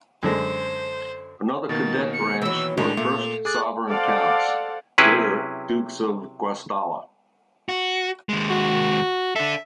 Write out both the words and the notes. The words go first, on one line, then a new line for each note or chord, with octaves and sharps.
Another cadet branch were first sovereign counts, later dukes of Guastalla.
F#2 D3 G#3 C5
B2 D#3 A#3 A6
C#7
E3 F#3 E6
A2 D#3 G#3 D4 F7
A#2 A3
G#4 D6 F#6 A6
A4 C5 D5 F5 F#5
C3 F#3 C#4 E4 G#4 B4
F#4
D#2 G#3
F#4
D4 A4 E5